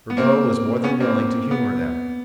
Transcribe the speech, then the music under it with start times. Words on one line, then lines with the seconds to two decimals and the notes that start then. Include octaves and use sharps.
Ribaut was more than willing to humor them.
0.10 B3
0.17 A#3 C4
0.84 B3 C#4
1.00 A#3 C4
1.51 B3